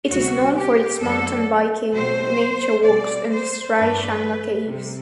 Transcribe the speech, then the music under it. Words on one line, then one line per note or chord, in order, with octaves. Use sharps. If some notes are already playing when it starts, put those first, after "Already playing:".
It is known for its mountain biking, nature walks, and the Sri Jangha caves.
D2 C3 G3 F#4
G4
F#2 D3 F#3 A3 A4
B2 F#3 A3 C4 C5
B2 G3 C4 D5
C5
G2 E3 A3 D4 B4
C3 G3